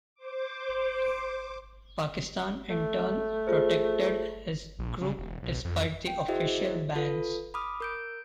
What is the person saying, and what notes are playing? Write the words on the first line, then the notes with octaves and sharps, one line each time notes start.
Pakistan in turn protected his group despite the official bans.
C5 D6
A3
F4 G#4 C5
A#1
C#3
E1
B1
F2
G5
E4 F#4 G#4 C5 D#5 E5
F4 A4 B4
B5 D6 D#6 F6
A#4 G6 D7